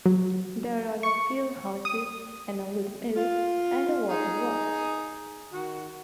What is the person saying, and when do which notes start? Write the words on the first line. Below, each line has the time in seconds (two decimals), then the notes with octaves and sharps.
There are a few houses, an old mill and a water works.
0.06 F#3
1.03 C#6
1.85 D#6
3.16 F4
4.09 D#4 G#4
5.52 D#3 F#4